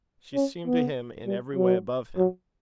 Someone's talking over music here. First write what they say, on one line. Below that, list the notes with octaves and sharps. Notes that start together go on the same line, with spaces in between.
She seemed to him in every way above him.
C#4
B3
G3
F#3
F#3